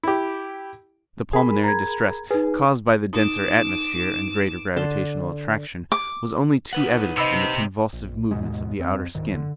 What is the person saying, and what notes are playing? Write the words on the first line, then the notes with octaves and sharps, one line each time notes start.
The pulmonary distress caused by the denser atmosphere and greater gravitational attraction was only too evident in the convulsive movements of the outer skin.
E4 G4
G#4 A#4 B5
A#5 G#6
D#4 G#4 B4
D#4 D6 E7
D3 A5 C6
D6
D#4 B4 F#5
C3 D#5 B5 E6
A#1
D#2 G#2 B2 G#3
F2 C4
D1 G#2 D#3
D3